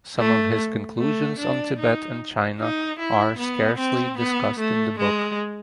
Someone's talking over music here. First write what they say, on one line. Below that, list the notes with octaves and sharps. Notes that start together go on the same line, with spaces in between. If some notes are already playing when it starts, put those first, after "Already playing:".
Some of his conclusions on Tibet and China are scarcely discussed in the book.
A3
A3
D4
D#4
D#4
E4
B3
C4
B3
A3
G#3